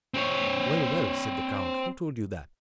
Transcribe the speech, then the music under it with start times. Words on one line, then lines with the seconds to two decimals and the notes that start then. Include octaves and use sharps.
"Well, well," said the count, "who told you that?"
0.14 C4 C#5